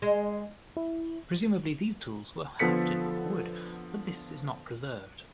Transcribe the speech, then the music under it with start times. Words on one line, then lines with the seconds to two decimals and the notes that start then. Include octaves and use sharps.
Presumably these tools were hafted with wood, but this is not preserved.
0.02 G#3
0.77 E4
2.59 D3 F3 B3 A4 B6 C#7